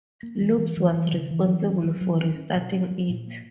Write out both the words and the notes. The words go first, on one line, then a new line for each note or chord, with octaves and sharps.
Lopes was responsible for restarting it.
A#3
E3
E3
E3
E3
C#3
E3
E3
C#4
F#3
F#3
C#4
C#4
B2
C#4
F#3
A#2
A#3